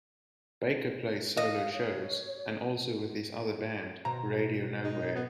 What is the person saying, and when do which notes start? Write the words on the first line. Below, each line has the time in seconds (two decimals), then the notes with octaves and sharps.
Baker plays solo shows, and also with his other band, Radio Nowhere.
1.37 D#5 F5
1.74 C#5
4.05 B2 C5 A#5
4.84 D#4
5.15 B3